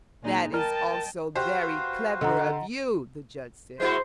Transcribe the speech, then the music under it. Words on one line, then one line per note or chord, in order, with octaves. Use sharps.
"That is also very clever of you," the judge said.
A#2 G#3 D#4
A#4 D#5 G5 A5
F#4 G4 B4 C5 F5
D3 D#5 F#5 A#5
G#3 E4 F#4 C5